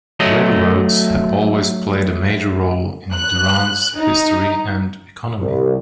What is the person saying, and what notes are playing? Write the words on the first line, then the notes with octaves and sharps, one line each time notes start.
Railroads have always played a major role in Durand's history and economy.
F#3 A3 D#5
F#6
D#4
C2